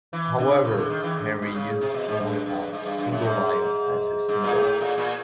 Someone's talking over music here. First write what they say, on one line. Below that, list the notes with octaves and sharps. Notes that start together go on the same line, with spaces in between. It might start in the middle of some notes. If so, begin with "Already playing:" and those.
However, Henry used only a single lion as his symbol.
E3
D3
C#3
D3
D#3
E3
D3
B2
C#3
C3
B2
G#2
G2
G2
G#2
G2
G2
F#2
G#2
G#2
A#2
A2
A#2
A#2